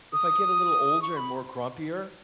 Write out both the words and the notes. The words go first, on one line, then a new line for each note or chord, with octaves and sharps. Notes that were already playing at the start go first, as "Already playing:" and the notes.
if I get a little older and more grumpier
D#6
C#6
B5